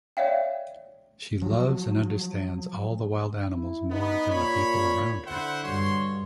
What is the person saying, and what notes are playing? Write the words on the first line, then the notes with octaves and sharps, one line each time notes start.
She loves and understands all the wild animals more than the people around her.
C#5 D5 E5 F5 G5
F3 F#3
E4
B3 D#4
A#2 C#5 B5
D3 E4 C5 F#5
G2 F#4 C#5 C6